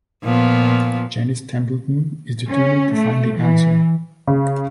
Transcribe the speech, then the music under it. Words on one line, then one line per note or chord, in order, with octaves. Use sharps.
Janice Templeton is determined to find the answer.
A#2 F3 B3
C#4
A3
E3
C#3